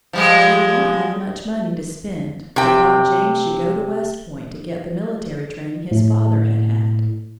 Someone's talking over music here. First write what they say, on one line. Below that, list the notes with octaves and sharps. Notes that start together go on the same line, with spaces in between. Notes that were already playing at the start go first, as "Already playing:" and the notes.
She did not have much money to spend but thought James should go to West Point to get the military training his father had had.
F3 G3 G#3
C3 G5
A2